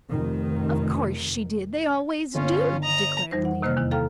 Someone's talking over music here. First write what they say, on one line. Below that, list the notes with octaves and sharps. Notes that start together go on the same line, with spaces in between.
"Of course she did--they always do," declared the leader.
F1 D#3
G1 C#4 F4
D#5 A#5
F2 E3 G3 D#4 C5
F#5
C3 D#3 A#3 C5 D#5 F6
E2 D#3 E4
A4 F5 G5 A#5 F6